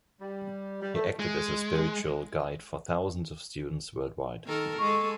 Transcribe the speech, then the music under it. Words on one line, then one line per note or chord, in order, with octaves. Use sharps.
He acted as a spiritual guide for thousands of students worldwide.
G3
G3
A3
G#3
D#3 A4 A#4
G#3 A4 C#6